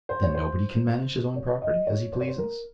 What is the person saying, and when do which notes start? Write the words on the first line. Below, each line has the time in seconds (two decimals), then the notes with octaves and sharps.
"Then nobody can manage his own property as he pleases?"
0.09 C5
0.23 C#5
0.34 C5
1.36 C#5
1.62 D#5
1.87 C#5
2.13 C5
2.20 C#5
2.27 C5
2.38 A#4